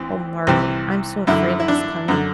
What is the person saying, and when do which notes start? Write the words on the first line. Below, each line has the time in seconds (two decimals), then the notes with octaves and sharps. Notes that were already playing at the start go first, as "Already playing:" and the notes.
'Oh, Margaret, I'm so afraid of his coming!
Already playing: D2 E3 C4
0.47 C2 C3 E3
1.27 F#2 D3 E4
1.60 E4
1.68 D4
2.08 F#2 D3